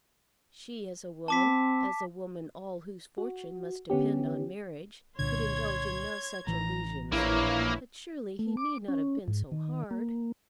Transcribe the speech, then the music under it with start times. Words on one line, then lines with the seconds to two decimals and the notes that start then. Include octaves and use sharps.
She as a woman,--as a woman all whose fortune must depend on marriage,--could indulge in no such allusions; but surely he need not have been so hard!
1.28 C4 A5 D6 B6
3.18 F#4
3.90 D3 B3 C#4 G4
5.19 C2 A#2 D3 C#5 C6 G#6
6.47 A1 A2 E3 A#5
7.12 A#1 A#3 E4 B4 C#5
8.39 A3
8.57 D6
8.88 C#4
9.28 G#2
9.52 D#3
9.91 A#3